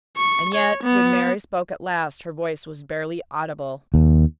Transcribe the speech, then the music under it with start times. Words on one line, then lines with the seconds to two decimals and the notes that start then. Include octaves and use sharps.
And yet, when Mary spoke at last, her voice was barely audible.
0.17 C#6
0.55 C#5
0.84 B3
3.94 D#2